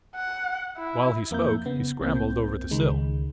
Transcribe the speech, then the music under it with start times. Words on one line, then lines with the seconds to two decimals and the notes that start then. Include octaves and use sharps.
While he spoke, he scrambled over the sill.
0.16 F#5
0.78 E4
1.31 F2 A#3 A#4 E5 G6
1.66 C#3 B3
2.00 C2 A#3 C4 G6
2.71 C#2 D#3 G#3